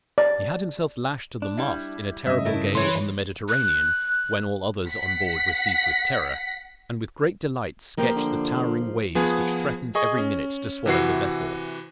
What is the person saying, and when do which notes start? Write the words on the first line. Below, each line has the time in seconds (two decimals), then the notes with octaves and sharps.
He had himself lashed to the mast in a terrible gale on the Mediterranean when all others on board were seized with terror, and with great delight sketched the towering waves which threatened every minute to swallow the vessel.
0.18 D5
1.42 D4
1.57 G3 E4
2.27 G2 C#3 D#5 E5
2.45 A3 E4 A#4
2.75 E3 C#5 C6
3.48 F#6
4.89 F#5 B6
7.97 F3 A#3 G4
8.16 D3
9.15 F3 B3 G#4
9.95 G#4 D#5 C#6
10.18 C#4
10.86 C3 E3 F#4 C7